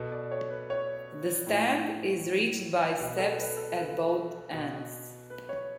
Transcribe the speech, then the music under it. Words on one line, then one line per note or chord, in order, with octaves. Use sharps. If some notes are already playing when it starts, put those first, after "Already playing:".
The stand is reached by steps at both ends.
Already playing: B2 A4
D5
C#5
B4
C#5
A2 F3
B2 B4
A4
B4
A4
B4
B2
B4
C#5